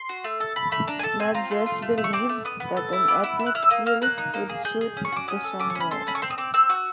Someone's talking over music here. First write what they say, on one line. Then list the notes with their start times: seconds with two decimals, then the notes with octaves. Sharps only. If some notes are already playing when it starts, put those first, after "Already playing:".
Medress believed that "an ethnic feel" would suit the song well.
Already playing: C6
0.09 F#4
0.24 A3
0.40 A4
0.56 A4 B5
0.72 A3 B5
0.88 D4 A#5
0.99 G#5
1.03 A4 A5
1.20 C4 G#5
1.34 F4 A#5
1.51 A3 C6
1.66 F4
1.82 A3
1.98 A3
2.04 C#6
2.13 C4 D6
2.29 A3
2.45 B3 D#6
2.60 B3
2.77 A4
2.93 E4
3.08 B3 D6
3.24 E4
3.39 E4
3.46 F#6
3.55 E4 F6
3.62 E6
3.70 A#3 D#6
3.86 A#3 F6
4.02 A#3 F#6
4.18 D#4
4.34 A#3
4.49 G#4
4.65 G#4 G6
4.81 G#4
4.97 C#4
5.05 C#6
5.12 F#4 D6
5.28 C#4 D#6
5.44 A4
5.59 C#4 D6
5.70 C#6
5.75 C#4
5.80 B5
5.91 A4 C6
6.07 C#4 B5
6.15 C#6
6.22 C4 C6
6.30 D#6
6.38 C4 D6
6.54 C4 E6
6.70 F#4